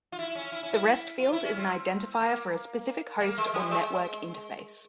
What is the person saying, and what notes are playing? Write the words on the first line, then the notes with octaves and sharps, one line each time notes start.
The rest field is an identifier for a specific host or network interface.
F4
E4
C#4
E4
C#4
E4
F4
E4
C#4
C4
A#3
A#3
G#3
G3
G#3